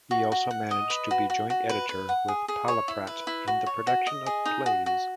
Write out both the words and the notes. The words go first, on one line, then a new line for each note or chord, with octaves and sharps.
He also managed to be joint editor with Palaprat in the production of plays.
F#4
F#4
F#5
D#5
B4
F#4
F#4
F#4
B4
B4
F#5
G#4
G#4
C#5
E4
B4
E4
F#4
C#5
F#4
D#5
G#4
D#4
F#4
F#4